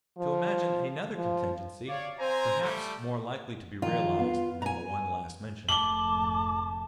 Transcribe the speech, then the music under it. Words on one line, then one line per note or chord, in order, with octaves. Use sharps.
To imagine another contingency, perhaps more likely to be realised than the one last mentioned.
F3
F3
C#5 D5 F5
C4 C5 G#5 A#5
G3 A3
D#3 F3 F4
B3 F5
G#5 A#5
F1 G#2 A3 A5 D6 F#7 G7